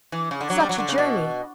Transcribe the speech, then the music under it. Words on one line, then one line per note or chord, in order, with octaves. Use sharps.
"Such a journey!"
E3
C#3
D3
F#3
G3
F#3
D3
C#3
B2